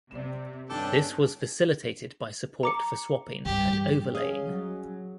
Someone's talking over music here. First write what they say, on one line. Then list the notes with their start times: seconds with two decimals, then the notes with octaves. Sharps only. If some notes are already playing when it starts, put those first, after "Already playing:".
This was facilitated by support for swapping and overlaying.
0.11 C3 D5 E7
0.70 G2 D#3 B3 C#4 D4 A4 G5 D6
2.63 A#5 D6 C#7
3.45 G2 E3 G4
4.15 C#4 G#4 D#5 F5 G#5
4.44 F#3